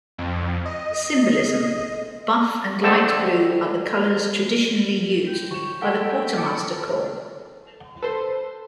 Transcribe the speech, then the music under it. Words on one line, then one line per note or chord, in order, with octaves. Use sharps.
Symbolism: Buff and light blue are the colors traditionally used by the Quartermaster Corps.
F2
D#5
F2 D3 A3 C4 A4 A5
G5
F3 C#5 E7
A4 E5 F#5 G5
A5 D6 C#7 D7
A4 B4 C5 C6